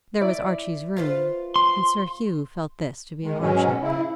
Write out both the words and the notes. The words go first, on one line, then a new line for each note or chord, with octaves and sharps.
But there was Archie's room, and Sir Hugh felt this to be a hardship.
E4 D5
F4 B4 C5
C6
D#3 G#3
G#2 B2 F#3 G#3 C#4
C#3 E4